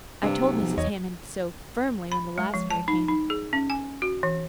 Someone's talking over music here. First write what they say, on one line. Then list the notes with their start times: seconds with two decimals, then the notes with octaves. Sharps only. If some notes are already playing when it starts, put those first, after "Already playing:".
I told Mrs. Hammond so firmly, when the last pair came.
0.23 G2 C3
0.41 B1
0.63 F3
0.78 E2 C#5 D#5
2.12 B5
2.38 G#3
2.54 F3
2.71 A5
2.88 D#4
3.08 D#4
3.30 G#4
3.53 C#4
3.70 G#5
4.02 F#4
4.23 E3